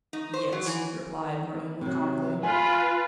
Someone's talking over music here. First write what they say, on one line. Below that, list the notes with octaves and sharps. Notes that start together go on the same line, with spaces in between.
"Yes," replied Merlin laconically.
D#4
C5
F#3
E3
C3 F#3
F4 B4 G#5